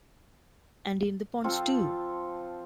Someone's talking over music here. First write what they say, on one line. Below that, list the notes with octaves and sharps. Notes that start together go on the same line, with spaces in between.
And in the ponds too!
F3 C4 F4 A4